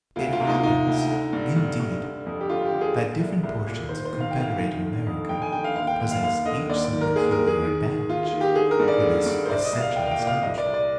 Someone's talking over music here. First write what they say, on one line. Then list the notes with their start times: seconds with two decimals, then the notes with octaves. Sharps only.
It happens, indeed, that different portions of confederated America possess each some peculiar advantage for this essential establishment.
0.16 D2 F4
0.33 F4
0.40 C3
0.47 D#4
0.59 F4
0.63 C3 D#4
0.87 D2
1.10 D3
1.33 G2
1.56 G2
1.80 G2
2.03 D3
2.26 F2
2.41 G4
2.49 D3 F4
2.65 G4
2.72 D3
2.81 G#4
2.97 A#2
3.19 C2
3.43 C2
3.66 A#2
3.89 D#3 C5
4.05 C5
4.13 D#3
4.20 F5
4.31 G5
4.36 D2 F5
4.60 D#3
4.83 D3
5.06 F2
5.29 F2 G5
5.42 G#5
5.52 D3 G5
5.64 F5
5.76 D#2 F5
5.87 G5
6.00 D#2 G5
6.11 F5
6.23 D#2 F5
6.46 D3 D#5
6.69 D#2 D5
6.85 D5
6.93 D#3
7.01 A#4
7.16 D#2 G#4
7.32 A#4
7.39 D#3
7.47 G#4
7.62 D#3
7.86 D#3
8.09 D#3 F4
8.25 F4
8.33 D#3
8.41 G4
8.55 D3 G#4
8.71 A#4
8.80 G2
8.88 D5
9.03 D3
9.26 G2
9.45 C5
9.49 C2 D5
9.64 D#5
9.73 C2
9.81 F5
9.96 C2 G5
10.06 F5
10.11 G5
10.19 A#2
10.27 F5
10.42 C2 D#5
10.58 D5
10.66 C2
10.74 D5